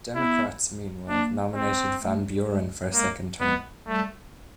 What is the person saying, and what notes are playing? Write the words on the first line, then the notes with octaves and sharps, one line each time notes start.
Democrats, meanwhile, nominated Van Buren for a second term.
B3 E4
A#3 D4
C4
A3
G#3
G#3 A#3
G#3 B3
G3 A3